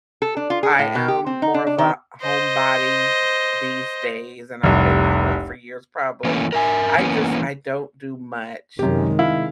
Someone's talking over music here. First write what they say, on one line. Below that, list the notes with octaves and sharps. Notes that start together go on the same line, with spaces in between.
I am more of a homebody these days and I've been that way for years, probably. I just I don't do much,
A4
D4
F4
G#4
A2
B2
G4
C4
D#4
D4
D4
D#3
C5 D#5
F1 C2
E3 A3 A#3 C#4
A#4 E5 G#5
E3 A#3 B3 C#4
F#2 C3 D#3 G#3 G4
E4 F5